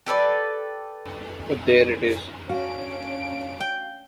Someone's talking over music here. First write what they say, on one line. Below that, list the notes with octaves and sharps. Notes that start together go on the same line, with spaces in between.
But there it is.
G4 A4 B4 D5
C#4 D4 F#4 F5 D7
G5